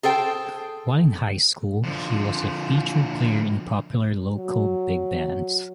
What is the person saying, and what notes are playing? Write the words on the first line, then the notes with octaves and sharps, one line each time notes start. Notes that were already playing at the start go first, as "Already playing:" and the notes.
While in high school, he was a featured player in popular local big bands.
G#4 A4 C5 G5
D3 F3
F#3